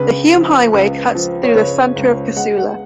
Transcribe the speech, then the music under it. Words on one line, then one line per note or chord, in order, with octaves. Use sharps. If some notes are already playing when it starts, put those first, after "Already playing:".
The Hume Highway cuts through the centre of Casula.
Already playing: C#2 C#3 B4
F3
C#2
F3
C#5
C#3 B4
C#2
G#3 F#5
F#5